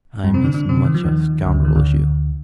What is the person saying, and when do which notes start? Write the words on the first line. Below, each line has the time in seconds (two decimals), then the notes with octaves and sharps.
I am as much a scoundrel as you.
0.24 G2 G3
0.34 C3 C4
0.44 D3 D4
0.54 D3 D4
0.69 C3 C4
0.85 D#3
0.94 F3
1.04 D#2 D#3
1.45 D2 D3
1.64 D#3
1.76 D2 D3